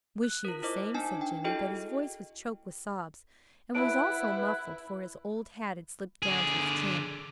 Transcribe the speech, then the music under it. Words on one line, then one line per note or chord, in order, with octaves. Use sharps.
"Wish you the same," said Jimmy, but his voice was choked with sobs, and was also muffled, for his old hat had slipped down to his chin.
F#6
F4 A#4
E4 A#4 C5 D#5 D6
D4 D#4 G#5 A5
G5
E4 F#4 G#4 A4 D#5 G5
E4 B4 F#5 D7
D3 G#4